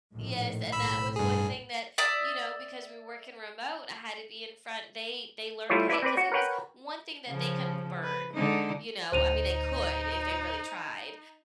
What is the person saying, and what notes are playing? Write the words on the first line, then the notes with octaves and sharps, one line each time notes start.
yes and that was one thing that you know, because we're working remote, I had to be in front they they learned how to 'cause it was one thing that they couldn't burn, you know? I mean, they could if they really tried,
A#1 A2 D#3
B1 A2 B5 E6
G2 G#4
D5 E5 D#6
G3 A3 E4 F4 C#5
E4 B4 D5 E5
C4 B4 D5
F#4
A#4 B4 C#5 F#5 G5
C#3 F3
B4
D3 G#3 D#4
D1 D2 C#4 D#4 C5 D#7 F7